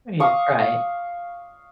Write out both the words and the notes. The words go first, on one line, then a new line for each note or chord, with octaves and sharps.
Oh yeah, right.
F5 C#6 D#6